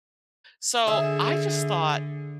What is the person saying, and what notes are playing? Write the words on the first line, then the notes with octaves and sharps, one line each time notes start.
so I just thought
D3 G#4 E5